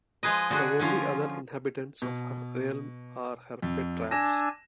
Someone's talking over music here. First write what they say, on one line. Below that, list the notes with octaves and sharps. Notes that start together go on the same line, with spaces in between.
The only other inhabitants of her realm are her pet rats.
F3 G#3 G#4 B4 D#5
D3 D4 F#4 G#4
D3 F3 C#4 F4
B2
F2
D4 G#5 E6 A#6 E7